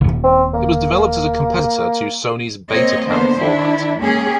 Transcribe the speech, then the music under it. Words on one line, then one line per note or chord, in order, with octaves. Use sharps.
It was developed as a competitor to Sony's Betacam format.
D#1 G#1
C4
A#3
A#3 C4 C#5 D#5
D3 A#3 B3 C5
D#3 D4 E4
G#3 A#3 C#4 G4 G#4